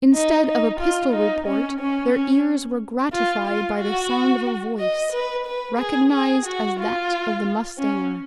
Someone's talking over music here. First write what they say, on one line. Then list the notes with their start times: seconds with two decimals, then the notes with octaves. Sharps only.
Instead of a pistol report their ears were gratified by the sound of a voice, recognised as that of the mustanger.
0.14 D#4
0.47 D#4
0.80 F4
1.13 D#4
1.46 C#4
1.80 C#4
2.13 C#4
3.13 F4
3.47 F4
3.79 F#4
4.79 D#5
5.12 B4
5.46 B4
5.78 G#4
6.12 G#4
6.45 F#4
6.79 F4
7.78 C#4